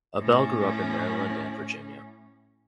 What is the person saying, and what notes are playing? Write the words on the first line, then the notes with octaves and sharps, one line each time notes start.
Abell grew up in Maryland and Virginia.
A2 C#4